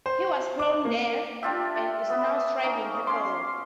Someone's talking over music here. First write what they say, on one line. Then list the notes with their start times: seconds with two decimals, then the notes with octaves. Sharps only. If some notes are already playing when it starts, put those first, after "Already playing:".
He was flown there and is now thriving happily.
0.06 C5
0.59 D6
0.85 A#3
1.43 D4 F4 G4 E5
2.10 B3 B4
2.63 C#4 D#4
3.07 C#4 C6 D6